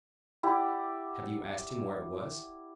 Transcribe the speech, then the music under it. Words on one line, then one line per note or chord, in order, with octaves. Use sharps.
Have you asked him where it was?
E4 G4 D5 F#5